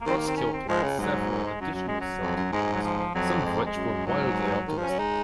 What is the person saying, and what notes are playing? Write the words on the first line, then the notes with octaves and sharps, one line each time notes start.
Crosskill planned several additional subdivisions, some of which were wildly optimistic.
A#3
D#3 C4
A#3
C4
C#4
C4
F3 G#3
C#3
G#2 F#3
F#3
G#3
F#2 F#3
F#3
G#3
F#3
F2
F#2
G#2 G#3
G#3
F#3
F3
F3
F2 F#3
G#3
A#3
G#3
F#2
G#2 F#3
D#3
F3
C#4
F#3
G#3 D#4